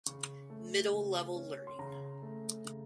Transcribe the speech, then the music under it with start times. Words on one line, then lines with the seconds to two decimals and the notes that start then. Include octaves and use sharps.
Middle Level Learning.
0.06 C#3 C#6
0.50 A3
0.93 C#3
1.36 C#4
1.67 C6
1.79 C#3 A#5
2.22 A3
2.65 C#3